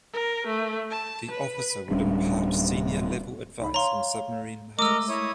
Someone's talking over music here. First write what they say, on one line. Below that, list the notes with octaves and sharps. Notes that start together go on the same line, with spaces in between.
The officer would impart senior level advice on submarine matters.
A#4
A3
A5
B4
D1 G3 C#4 D4
C2 D#4 B5
C#5 F5 A#5 C6
G#3 A3 A#4 D#5 D6 E6
E4 C#5 D#6